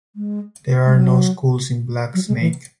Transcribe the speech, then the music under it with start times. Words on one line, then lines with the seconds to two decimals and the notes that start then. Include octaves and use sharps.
There are no schools in Black Snake.
0.16 G#3
0.86 G#3
0.95 F#3
2.14 F#3
2.28 G#3
2.40 E3